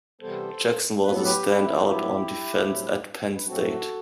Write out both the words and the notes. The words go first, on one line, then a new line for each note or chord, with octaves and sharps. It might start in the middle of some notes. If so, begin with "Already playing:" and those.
Jackson was a standout on defense at Penn State.
C3 E3 G3 B3 A4 C5
A2 F#3 B3 B4
A4
G4 B4
D4
E4
F#4
A2 F#3 B3 E4 G4
A2 F#3 A3 C4
B4
A2 F#3 A3 C4 F#4 A4